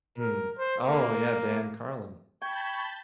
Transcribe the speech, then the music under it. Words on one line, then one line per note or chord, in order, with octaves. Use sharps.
Mm. Oh, yeah, Dan Carlin.
A#4
C5
A#3
G5 A5 B5 C#6 G6 G#6